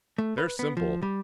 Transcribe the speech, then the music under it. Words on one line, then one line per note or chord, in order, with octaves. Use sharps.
They're simple.
A3
B4
B3
F3
G3